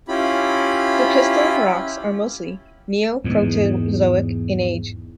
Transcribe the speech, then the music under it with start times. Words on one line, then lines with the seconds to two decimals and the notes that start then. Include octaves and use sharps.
The crystalline rocks are mostly Neoproterozoic in age.
0.08 C#4 E4 F4 G4 B5
3.24 E2 G#2